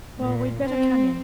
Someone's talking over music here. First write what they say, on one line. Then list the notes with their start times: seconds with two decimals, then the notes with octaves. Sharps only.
Well, we'd better come in.
0.21 A#2
0.62 C4